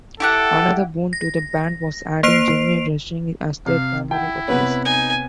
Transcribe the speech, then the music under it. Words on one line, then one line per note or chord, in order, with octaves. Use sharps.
Another boon to the band was adding Jimmy Rushing as their primary vocalist.
E4 G4 A4 F#5
A#6
A#3 C5 C7 D7 F7
C3 F5
E4 F#5 G5
C3 B3 C#4 B4
D#4 G#5